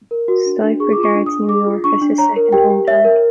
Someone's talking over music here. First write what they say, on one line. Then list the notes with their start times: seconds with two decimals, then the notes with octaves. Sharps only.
Stipe regards New York as his second hometown.
0.11 A#4
0.28 F#4
0.46 D4
0.63 D4
0.80 G#4 C#6
0.93 F4 D6
1.03 C#6
1.14 D4
1.26 D#6
1.32 D4
1.49 G#4 D6
1.67 F4
1.84 D4 C#6
2.01 D4
2.18 C#5 A#5
2.36 A#4
2.52 G4 G5
2.70 G4
2.87 C#5 E5
3.05 A#4